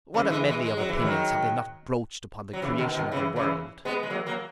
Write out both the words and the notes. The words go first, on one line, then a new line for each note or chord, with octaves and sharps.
What a medly of opinions have they not broached upon the creation of the world?
C#3 E3
E3 G#3
E3 G#3
G#3
F#3
E3
D#3 F#3
F#3
C#3 E3
B2 D#3
B2 D#3
C#3 E3
C#3 E3
G#3 B3
G#3
F#3 A#3
F#3 A#3